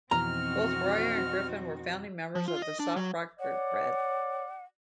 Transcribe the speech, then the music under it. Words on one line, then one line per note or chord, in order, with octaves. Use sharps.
Both Royer and Griffin were founding members of the soft-rock group Bread.
F2 B2 E3 C4 D#4 F#4 A#5 F6
F3
F4
D#5
D4
F#3
C#5 D5 F#5